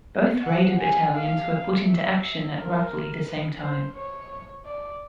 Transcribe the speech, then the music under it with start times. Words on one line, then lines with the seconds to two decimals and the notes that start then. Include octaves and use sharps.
Both Raider battalions were put into action at roughly the same time.
0.44 F#5
0.79 G#5
1.15 F5
1.84 E5
2.54 A#4
3.25 B4
3.60 C5
3.95 C#5
4.65 D5